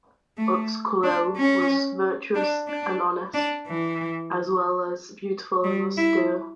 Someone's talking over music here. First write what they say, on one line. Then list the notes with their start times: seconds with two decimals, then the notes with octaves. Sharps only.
Utz-Colel was virtuous and honest, as well as beautiful and austere.
0.37 A3
1.03 D4
1.36 C#4
2.35 D4
2.68 D4
3.34 D4
3.67 E3
5.64 G3
5.97 E4